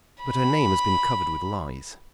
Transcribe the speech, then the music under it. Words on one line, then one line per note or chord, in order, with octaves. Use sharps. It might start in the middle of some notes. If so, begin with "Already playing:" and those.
"But her name has been covered with lies."
B5